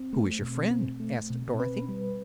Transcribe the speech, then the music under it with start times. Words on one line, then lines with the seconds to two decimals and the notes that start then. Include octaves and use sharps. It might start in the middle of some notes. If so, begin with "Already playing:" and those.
"Who is your friend?" asked Dorothy.
Already playing: C4
0.13 A3
0.41 B2
0.71 C4
1.00 A3
1.30 B2
1.60 C4 B4
1.89 G3